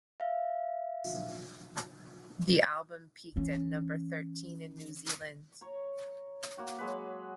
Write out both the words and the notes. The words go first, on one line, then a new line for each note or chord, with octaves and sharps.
The album peaked at number thirteen in New Zealand.
E5 F5
E3 C#4
C#5 A#5
A#3 F#4 G5
F#3 G#3 B4